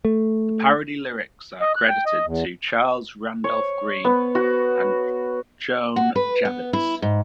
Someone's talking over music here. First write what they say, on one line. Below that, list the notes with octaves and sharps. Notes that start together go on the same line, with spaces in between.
The parody lyrics are credited to Charles Randolph Grean and Joan Javits.
A3
D#5
F#6
G5
D#5
E2
C#5
B3
F#4
F#4
B4
B3
E4
G#2